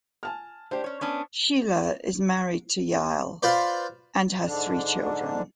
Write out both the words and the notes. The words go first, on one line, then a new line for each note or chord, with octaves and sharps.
Shelah is married to Yael, and has three children.
G#5 A5 F6
D4 G4 C5 D5
C#4 C#5
B3 C#4 D4
F4 B4 C5 D5
G#2 D3 D4